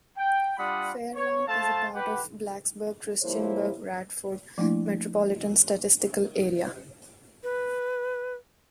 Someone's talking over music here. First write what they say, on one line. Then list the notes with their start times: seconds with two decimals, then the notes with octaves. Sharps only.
Fairlawn is part of the Blacksburg-Christiansburg-Radford Metropolitan Statistical Area.
0.17 G5
0.58 G3 D4 F4 F#5 B5 D#6
1.15 C#5
1.48 A3 A4 C5 F5 A5
1.94 G4 B4 F#5
3.23 F3 G3 A#3 E4 C5 C#5
4.58 F3 A3 A#3 D4 E4
7.43 B4